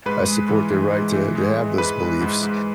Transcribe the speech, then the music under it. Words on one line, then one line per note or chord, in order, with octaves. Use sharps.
I support their right to to have those beliefs
G#2 B4
G#3
E3
E3
G#2
E3
G#3
G#3
G#2 B4
G#2
G#2
G#2